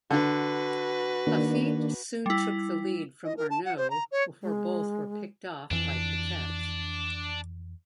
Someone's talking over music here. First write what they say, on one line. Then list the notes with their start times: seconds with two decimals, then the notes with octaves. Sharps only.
Laffite soon took the lead from Arnoux before both were picked-off by Piquet.
0.11 D3 F#4 B4
1.27 D#3 A#3 D4
2.26 G3 E4
3.25 D#5
3.37 A#4
3.50 A5
3.65 F#5
3.77 C5
3.90 A#5
4.12 C#5
4.42 G#3
5.71 F2 E3 D4